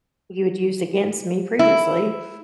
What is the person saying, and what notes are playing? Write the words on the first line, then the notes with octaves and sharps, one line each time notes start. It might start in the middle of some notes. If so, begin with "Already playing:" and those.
you had used against me previously eh,
E4